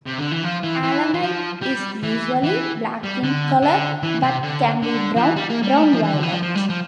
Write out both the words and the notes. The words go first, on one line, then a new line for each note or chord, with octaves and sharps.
Allanite is usually black in color, but can be brown, brown-violet.
C3
D3
E3
F3
E3
E3
E3
F3
G3
E3
E3
G3
D3
D3
E3
C3
D3
D3
F3
E3
G3
A#3
G3
A3
G3
F3
E3
D3
E3
F3
F3
G3
F3